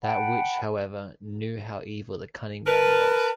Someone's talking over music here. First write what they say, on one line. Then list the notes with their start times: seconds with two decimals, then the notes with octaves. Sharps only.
That witch, however, knew how evil the Cunning Man was.
0.03 F#5 G5 A5 B5
2.67 A#4 B4 A5